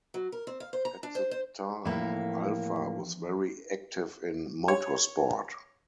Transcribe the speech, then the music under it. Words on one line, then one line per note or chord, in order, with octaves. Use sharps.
At the time, Alfa was very active in motorsport.
F#3
A#4
C4
F5
C5
A#5
D4
C5
C5
E2 A2 F3 A#3 E5
C#5